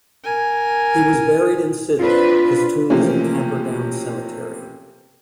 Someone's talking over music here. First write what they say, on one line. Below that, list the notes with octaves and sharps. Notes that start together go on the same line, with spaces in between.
He was buried in Sydney; his tomb is at Camperdown Cemetery.
A#4 G#5
C4 D4 F4 B4
C3 E3 F3 A3 A#3 C#4